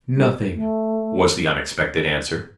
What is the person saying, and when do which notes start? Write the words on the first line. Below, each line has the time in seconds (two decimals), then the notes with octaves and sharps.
"Nothing," was the unexpected answer.
0.14 G3
0.55 A3